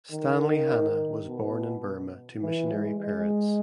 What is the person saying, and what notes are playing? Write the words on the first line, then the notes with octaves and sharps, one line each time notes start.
Stanley Hanna was born in Burma to missionary parents.
D#3
B2
E3
G#3
G#3